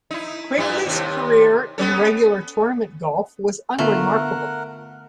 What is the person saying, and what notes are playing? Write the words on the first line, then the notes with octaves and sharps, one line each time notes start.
Quigley's career in regular tournament golf was unremarkable.
D#4 E4
G2 G3 E4
D#2 C3
B3 C#4 A4
D3 A3 B3 F4 A#4 F#5